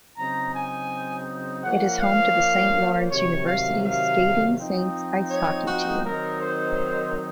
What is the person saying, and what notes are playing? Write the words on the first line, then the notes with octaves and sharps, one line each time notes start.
It is home to the Saint Lawrence University Skating Saints ice hockey team.
C#3 F#3 C4 D#4 A#5
G#5
F3 A#3 C#4 F#5
F5
C3 D#3 F#3 C#5
F5
F5
F3 C4 D#4
C#5
F#4
D#3 F#3 C4 D#4 A#4
C5